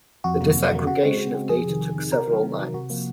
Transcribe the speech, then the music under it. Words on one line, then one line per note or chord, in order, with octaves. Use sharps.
The disaggregation of data took several nights.
F2 F#4
C3 F#3 A#3
F2
C3 F#3 A#3
C#3 F#4
G#3 C4
C#3
G#3 C4
F2 G#4
C3 D#3
F2
C3 D#3
C3 A#4
D#3 F#3
C3
D#3 F#3
C3 F#4
F3 A#3